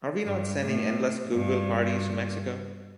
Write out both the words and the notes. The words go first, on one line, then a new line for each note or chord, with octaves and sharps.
Are we not sending endless goodwill parties to Mexico?
G2
A2
G2